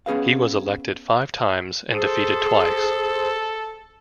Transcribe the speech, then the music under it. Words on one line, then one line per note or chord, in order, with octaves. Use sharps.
He was elected five times and defeated twice.
B3 C#4 G#4 B4 F5
G#4 A4 C5